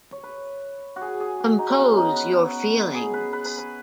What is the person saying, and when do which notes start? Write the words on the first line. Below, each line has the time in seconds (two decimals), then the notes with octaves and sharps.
Compose your feelings.
0.12 C#5
0.23 B4
0.96 F#4
1.01 G#4
1.20 G#4
1.40 F#4
1.59 D#4
1.69 C#4
1.79 B3
1.97 D#4
2.16 B4
2.95 G#4
3.14 B4
3.33 B4
3.45 B4
3.58 B4